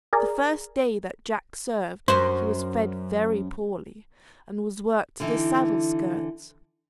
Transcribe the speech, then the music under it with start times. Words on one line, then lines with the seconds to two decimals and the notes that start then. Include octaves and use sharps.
The first day that Jack served he was fed very poorly, and was worked to the saddleskirts.
0.13 G#4 A#4 D5
2.08 F#2 C5
5.20 D3 E3 D#4